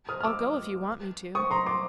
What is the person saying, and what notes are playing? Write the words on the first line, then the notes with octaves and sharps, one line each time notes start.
"I'll go if you want me to."
D#6 F6
F6
D6 E6
C#6 D#6
A#5 C6
C6 D6